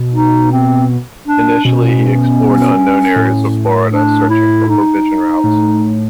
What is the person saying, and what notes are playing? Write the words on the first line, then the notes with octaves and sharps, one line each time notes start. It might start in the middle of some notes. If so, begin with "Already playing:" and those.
Initially he explored unknown areas of Florida, searching for provision routes.
Already playing: B2
D#4
C4
D4
B2 C#4
A2
D4
E4
D#4
A2